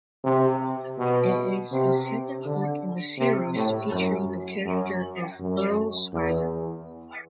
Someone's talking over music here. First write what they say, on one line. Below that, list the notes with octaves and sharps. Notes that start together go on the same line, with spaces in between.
It is his second book in the series featuring the character of Earl Swagger.
C3
B2
C3
D3
C3
A2
F#2
F#2
F#2
E2